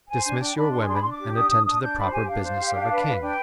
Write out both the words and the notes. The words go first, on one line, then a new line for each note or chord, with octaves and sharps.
"Dismiss your women and attend to the proper business of a king."
C5 G#5
D4 G#5
D4 G5
D4 B5
G#4 C6
D4 C6
B5
D4 C6
D6
G4
D4 D#6
D4 D#6
D4 D#6
D4 G6
C5 B5
G4 G#5
D4 F5
C5
G4
D4
B4
B4
D4 G5